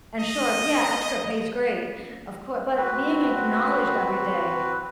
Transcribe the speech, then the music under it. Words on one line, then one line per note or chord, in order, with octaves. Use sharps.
and sure, yeah, extra pay's great, of cour but being acknowledged every day
D#5
C4 F#4 B4